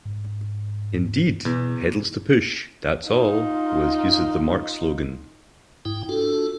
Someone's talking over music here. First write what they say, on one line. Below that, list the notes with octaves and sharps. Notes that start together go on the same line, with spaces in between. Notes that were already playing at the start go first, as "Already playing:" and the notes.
Indeed, "Pedals to push, that's all" was used as the marque's slogan.
G#2
E2 B2
D#4 F4
G#2 E4 G5
D4 F4 F#4 A4